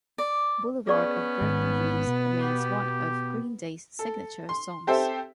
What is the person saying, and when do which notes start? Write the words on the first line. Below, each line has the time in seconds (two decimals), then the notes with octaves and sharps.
"Boulevard of Broken Dreams" remains one of Green Day's signature songs.
0.18 D5
0.87 B3 C#4 G#4 D5 C#6
1.41 G#2 D#3
2.07 B2
2.41 G4 F#5
3.99 A4
4.49 C6
4.87 C4 G4 A4 C5 E5